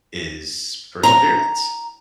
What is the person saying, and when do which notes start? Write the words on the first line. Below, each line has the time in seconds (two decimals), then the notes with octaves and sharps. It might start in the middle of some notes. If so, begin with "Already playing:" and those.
is perseverance,
1.03 A#5